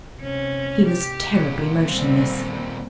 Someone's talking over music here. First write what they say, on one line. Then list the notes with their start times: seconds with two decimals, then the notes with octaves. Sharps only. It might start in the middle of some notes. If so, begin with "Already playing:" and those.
He was terribly motionless.
0.17 C3 C#4
0.87 G4
1.32 D#2 A#2
1.84 D3 G3 C4